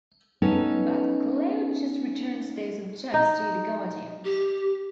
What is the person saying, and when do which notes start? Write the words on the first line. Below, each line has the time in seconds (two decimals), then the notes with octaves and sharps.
But Claude just returns those objects to the guardians.
0.42 B3 C#4 D#4 A4
3.14 D#4
4.25 G4